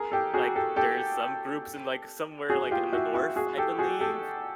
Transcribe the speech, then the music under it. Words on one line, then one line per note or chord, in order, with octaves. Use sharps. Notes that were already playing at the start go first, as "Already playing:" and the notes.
like, there's some groups in, like, somewhere like, in the North, I believe.
Already playing: G#4 A#4
G4 A4
F#4 G#4
G4 A4
G4 A4
F#4 G#4
F4 G4
E4 F#4
E4 F#4
F#4 G#4
G4 A4
F#4 G#4
G4 A4